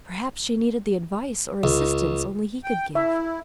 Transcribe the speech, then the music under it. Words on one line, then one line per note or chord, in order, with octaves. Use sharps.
Perhaps she needed the advice or assistance only he could give.
C#2
G5
E4 E5